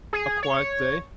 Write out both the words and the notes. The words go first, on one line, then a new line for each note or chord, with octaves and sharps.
A quiet day.
G#4
C#5